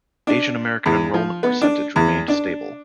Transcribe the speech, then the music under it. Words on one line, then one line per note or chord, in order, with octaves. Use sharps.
Asian American enrollment percentage remained stable.
D4
E2
F3
B3
D4
E2
D4